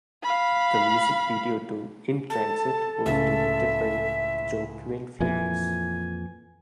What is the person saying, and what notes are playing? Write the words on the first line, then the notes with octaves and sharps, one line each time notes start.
The music video to "In Transit" was directed by Joaquin Phoenix.
F5 B5
A4 A5
C#2 A2 C#4 E5
F2 A#2 E3 G#5